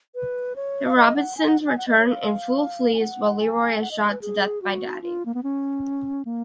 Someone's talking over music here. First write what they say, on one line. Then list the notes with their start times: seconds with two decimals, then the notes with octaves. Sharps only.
The Robesons return and Fool flees while Leroy is shot to death by Daddy.
0.15 B4
0.56 C#5
0.86 F5
0.96 D#5
1.17 F#5
1.37 G#5
1.47 F#5
1.67 G#5
1.78 F#5
1.88 D#5
1.98 C#5
2.08 F5
2.94 G#5
3.00 F#5
3.40 G#5
3.81 F#5
3.91 D#5
4.01 D#5
4.11 B4
4.22 G#4
4.62 F#4
5.02 F4
5.26 A#3
5.35 B3
5.43 C#4
6.25 A#3